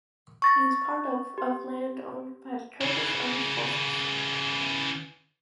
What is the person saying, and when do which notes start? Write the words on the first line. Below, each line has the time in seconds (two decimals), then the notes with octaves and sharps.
It is part of of land owned by the Turkish Armed Forces.
0.42 C#6 A6 A#6
1.38 G4
2.81 C#3 E3